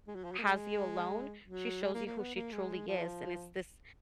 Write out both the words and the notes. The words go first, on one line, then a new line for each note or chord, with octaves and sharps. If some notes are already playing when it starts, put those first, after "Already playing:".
has you alone, she shows you who she truly is, and it's this
G#3
F#3
F3
F#3
A#3
G#3
F#3
G#3
A#3
A#3
B3
A#3
G#3
F3